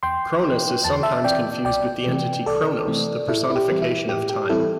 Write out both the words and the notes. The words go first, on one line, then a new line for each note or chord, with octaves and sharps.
Cronus is sometimes confused with the entity Chronos, the personification of Time.
E2 G5 C6
E3 C4
E2 A5
C6
E5 A5
E3 C4 D5 G5
C2 D5 G5
C3 E3 A3 C4
C2 A4 D5
C3 E3 A3 C4
A2 E4 A4
E4
G4
E3 G3 C4
E4
A2 G4
G4
E3 G3 C4 E4 A4